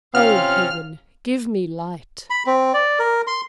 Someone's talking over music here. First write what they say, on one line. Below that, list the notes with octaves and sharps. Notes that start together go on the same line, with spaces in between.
Oh, Heaven, give me light!
C3 C4 C#4 F4 F5 F6
B5
C4
D5
A#4
C6